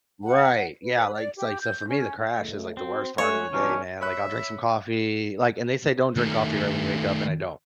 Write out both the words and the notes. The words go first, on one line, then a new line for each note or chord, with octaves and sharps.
Right. Yeah, like, it's like so for me, the crash is, like, the worst part of the day, man, like, I'll drink some coffee, like and they say, "Don't drink coffee right when you wake up." And I don't,
F#5
B4
D5
G4
G6
C#4
C#2 A3
C4 F#4 C5
G#3 A3 C#4 F#4 C#5
B1 E3 A#3 C#4 D4
C#5 E5 B5 F#6
D#3 A3